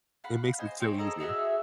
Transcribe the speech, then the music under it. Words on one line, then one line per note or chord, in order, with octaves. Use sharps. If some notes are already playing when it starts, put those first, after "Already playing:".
it makes it so easy.
F5 F#5 B5
C5 D#5 G#5
C4 C5 C#5 G5
G#4 A4 D#5 A#5
D#4 F#4 G#4 E5